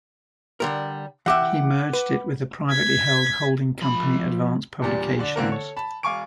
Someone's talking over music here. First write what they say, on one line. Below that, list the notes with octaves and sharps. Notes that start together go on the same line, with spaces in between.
He merged it with the privately held holding company Advance Publications.
D3 G3 A#4
E3 G4 E5 F#5 D6
B4
G#6 B6
F3 B5
E2 A#2 G3 D4
D3 D5
D3 E3 A#3 C4 A#4
A4 C#5
A5 B5
E1 F5 G#5 C#6 D6 D7